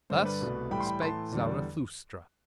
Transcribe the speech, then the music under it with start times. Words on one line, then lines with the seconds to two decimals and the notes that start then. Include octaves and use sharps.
Thus spake Zarathustra.
0.10 G2 D3 G3 C5
0.25 B4 D5
0.41 C2 B2 A3
0.71 A2 E3 G3 G5 B5
0.81 C6
0.87 G5 B5
1.02 A2 E3 A3 A5 C6
1.33 E2 D3 G3